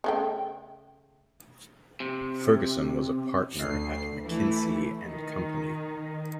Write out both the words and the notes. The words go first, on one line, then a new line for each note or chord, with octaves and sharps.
Ferguson was a partner at McKinsey and Company.
C#3 A3 G5
C3
D2 C7
E3 A3 E4
D#3